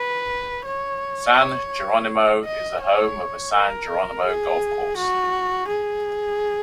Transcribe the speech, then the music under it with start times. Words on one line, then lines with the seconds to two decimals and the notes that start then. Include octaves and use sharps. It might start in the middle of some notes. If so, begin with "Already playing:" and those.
San Geronimo is the home of the San Geronimo Golf Course.
Already playing: B4
0.65 C#5
1.37 C#5
2.45 D#5
2.82 C#5
3.53 A#4
4.25 G#4
4.97 F#4
5.68 G#4